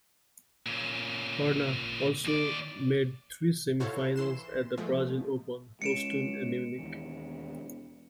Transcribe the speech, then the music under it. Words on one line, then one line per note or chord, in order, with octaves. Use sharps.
Horna also made three semi finals at the Brazil Open, Houston and Munich.
A#2 C#3
D#2 D5
E4 F#4 A4 C5 C#5 F5
E3 C6 E7
B2 F3 G#3 A3
C#2 G#3 C#7 D7 E7
E1 D#2 E3